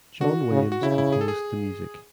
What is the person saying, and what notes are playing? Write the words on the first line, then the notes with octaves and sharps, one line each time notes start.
John Williams composed the music.
D3 F#4
C#3
F#4
C#3 E4
E4
G#4
A4
G#4